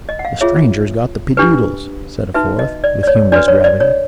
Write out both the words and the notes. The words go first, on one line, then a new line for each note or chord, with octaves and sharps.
"The stranger's got the peedoddles," said a fourth, with humorous gravity.
D#5
F#5
F5
F4 G#4 C#5 E5
D4 G4 B4
D#4 F#4 B4 E5
D#5
D5
D5
C#5
D4 F#4 B4 D5
C#5
D5
C#5